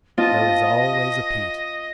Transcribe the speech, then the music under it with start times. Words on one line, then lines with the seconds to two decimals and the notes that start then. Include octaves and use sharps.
There is always a Pete.
0.18 C4 F4 D#5 A5